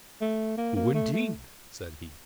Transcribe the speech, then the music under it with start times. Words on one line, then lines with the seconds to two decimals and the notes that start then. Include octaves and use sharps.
"Who, indeed?" said he.
0.21 A3
0.57 A#3
0.76 A#3
0.94 A3
1.13 A3